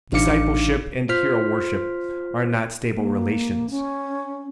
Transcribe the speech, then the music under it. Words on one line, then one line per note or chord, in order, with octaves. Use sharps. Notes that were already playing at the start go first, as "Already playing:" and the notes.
Discipleship and hero-worship are not stable relations.
A1 D4 D#4 F5 D6 C#7
F4 C5 C6 F6 B6
A#3
C#4